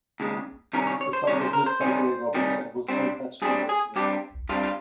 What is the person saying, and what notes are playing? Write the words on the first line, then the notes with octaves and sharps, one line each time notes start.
The site was missed by grave robbers and was untouched when opened.
D#2 C#3 G#3
C3 D#3 G3 C#4 A#4
C#5
C#5
C5
C3 D#3 G3 C#4 C#5
C5
A#4
C5
C3 D#3 G3 C#4
C3 D#3 G3 C#4
G2 G3 C4
G2 G3 C4 G#4
G#4
G2 G3 C4 G4
G2 G3 C4 F4
F4